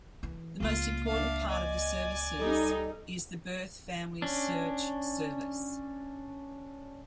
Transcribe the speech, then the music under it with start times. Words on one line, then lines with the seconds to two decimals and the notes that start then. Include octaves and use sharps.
The most important part of the services is the Birth Family Search service.
0.23 E3
0.60 C#2 A#3 F4
1.06 D4 E5 F5
1.49 D5 D#5 G#5
2.39 G3 D#4 A4
4.22 C#4 D4